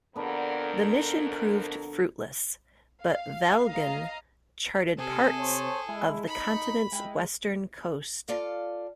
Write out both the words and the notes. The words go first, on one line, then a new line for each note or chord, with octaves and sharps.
The mission proved fruitless, but Vlamingh charted parts of the continent's western coast.
F2 D3 B3 A#4
F5
D#5 F5 A#5
C3 G#4 A4
C5 C#5 A5
G#3 E4
D#4 B5 C#7
G#3 E4 E5 G5
F4 A4 D5 F5